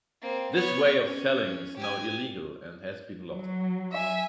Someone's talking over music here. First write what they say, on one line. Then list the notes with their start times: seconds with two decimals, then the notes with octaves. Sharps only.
This way of selling is now illegal, and has been lost.
0.22 A#3 C4
0.52 B3 C#5
1.05 C#4
1.77 G4 G#5
3.29 F#3
3.92 E5 G#5